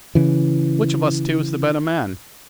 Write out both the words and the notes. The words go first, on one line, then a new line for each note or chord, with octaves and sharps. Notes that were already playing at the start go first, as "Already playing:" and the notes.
Which of us two is the better man?
C#3 E3